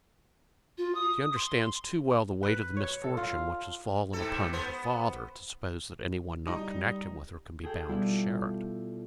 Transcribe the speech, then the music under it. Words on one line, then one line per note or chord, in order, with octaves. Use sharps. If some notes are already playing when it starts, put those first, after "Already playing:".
"She understands too well the weight of the misfortune which has fallen upon her father, to suppose that any one not connected with her can be bound to share it."
F4
D#6
C6
B4
C#5
A4
F4
G#2 C3 A4
B3 C5
G3 D#4
G#4 A4 G5
B2 G3 E4 F4